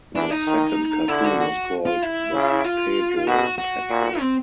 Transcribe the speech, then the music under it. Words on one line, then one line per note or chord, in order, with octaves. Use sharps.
The second cartoon was called "The Pedro Patrol".
E3 D4
D#4
D#3
D3 E4
F#4
F#4
F4
E4
C#3
F4
B2 F#4
F#4
A#2
C4